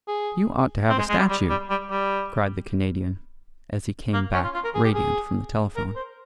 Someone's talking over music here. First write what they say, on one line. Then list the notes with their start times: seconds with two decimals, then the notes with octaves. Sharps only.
"You ought to have a statue," cried the Canadian, as he came back, radiant, from the telephone.
0.08 G#4
0.90 C4
0.99 G#3
1.09 G#3
1.19 G3
1.29 G3
1.50 G3
1.70 G3
1.91 G3
4.14 A#3
4.34 C#4
4.44 F4
4.54 F4
4.64 A#4
4.75 G#4
4.84 G4
4.95 G#4
5.76 A#4
5.96 C5